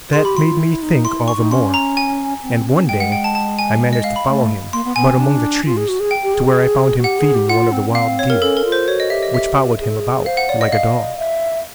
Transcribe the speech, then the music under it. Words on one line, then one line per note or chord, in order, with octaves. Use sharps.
"That made me think all the more, and one day I managed to follow him but among the trees to where I found him feeding one of the wild deer, which followed him about like a dog."
G#4 C6
G4 B5
F#4 C6
F4
E4
D#4
E4 C6
D#4
C#6
D#4
C#4 C6
A#5
G#5
C4
C#4
G#3 G5
F#5
G5
A5
A5
G#5
D#5
F5
B5
A3
A#3 C6
B3
B3 G#5
C4
D4
F4
G#4
F#4
G#4
G5
G4
G#4
G#4
F#4
G4 F#5
G#4
G4
F4 F#5
C4
C#4
C4 F5
C#5
C4 A#4
C#4 A4
A#4
F4
C5
F#4 C#5
D#5
G4 E5
D#5
E5
G#4
A4
G#4
C5 F5
F#5
C#5 D5
D#5
D#5 F5
E5